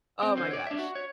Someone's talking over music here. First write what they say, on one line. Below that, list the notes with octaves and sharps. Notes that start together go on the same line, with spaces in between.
Oh my gosh.
C4
D3 C5
C#5 D5
D4 E5
F#4
C#5